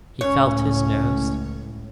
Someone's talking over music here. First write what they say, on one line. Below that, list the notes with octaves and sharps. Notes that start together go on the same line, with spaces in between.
He felt his nose.
C#2 A2 C#4 C#5